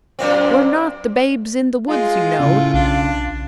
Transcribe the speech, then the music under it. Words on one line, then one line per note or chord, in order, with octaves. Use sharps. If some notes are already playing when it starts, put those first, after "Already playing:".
We're not the 'Babes in the Woods,' you know.
F#2 A#2 C4
G#3 F4
A2 C#3
B1 D4